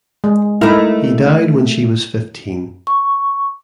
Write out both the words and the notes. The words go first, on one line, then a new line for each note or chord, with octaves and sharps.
He died when she was fifteen.
G#3
A3 D#4 E4 A#4
C#6